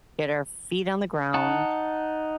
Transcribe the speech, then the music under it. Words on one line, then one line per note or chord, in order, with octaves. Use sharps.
get our feet on the ground,
D#4 F#5 A5